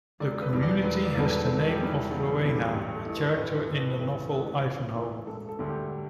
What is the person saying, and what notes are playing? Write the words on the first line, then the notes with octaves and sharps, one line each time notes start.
The community has the name of Rowena, a character in the novel "Ivanhoe".
E1 D5
B4
E2 B2 G3
D5
E1 B4
D5
E2 B2 G3 A4
B4
E1 A4
G4
E2 B2 G3
E4
E1 B3
B3
E2 B2 G3
D4
A1 G4
A4
A2 E3
B4
A1 B4
B4
A4
A2 E3 A4
B4
A1 B4
A2 E3
A1
A2 E3
E1 A4
A4
D2 D3 G3
G4